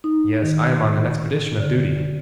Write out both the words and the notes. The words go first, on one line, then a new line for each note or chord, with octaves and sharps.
'Yes, I am on an expedition of duty.
D#4
D#3
D3